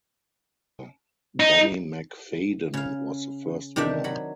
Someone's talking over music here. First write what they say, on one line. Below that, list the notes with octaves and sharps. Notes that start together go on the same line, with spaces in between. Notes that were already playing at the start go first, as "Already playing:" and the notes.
Donnie Macfadyen was the first winner.
D#4
C#3 F5
C3 D#3 D4 G4 E5
F#3 B5